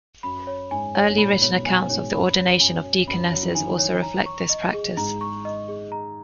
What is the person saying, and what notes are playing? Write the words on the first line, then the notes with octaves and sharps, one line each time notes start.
Early written accounts of the ordination of deaconesses also reflect this practice.
F#2 B5
C#5
G#2 G#5
C#5
G#2
A#2 B5
B2 C#5
B2 G#5
G#2 C#5
F#2 B5
C#5
F#2 G#5
C#5
F#2 B5
F#3 C#5
E3
D#3 G#5
C#5
A#5
C#6
D#5
G#4
G#2 A#5
C#6
D#5
G#4
A#5